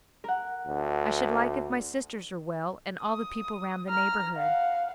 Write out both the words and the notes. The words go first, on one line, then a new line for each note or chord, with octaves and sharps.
I should like if my sisters are well, and all the people round the neighborhood.
A#4 F#5
D2
D#6
A#5 F6
F5 F#5